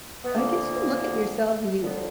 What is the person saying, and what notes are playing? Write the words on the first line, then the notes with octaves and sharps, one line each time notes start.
I guess you look at yourself and you
B3
D2 D3 F3 A#3
D#2 D3 F3 B3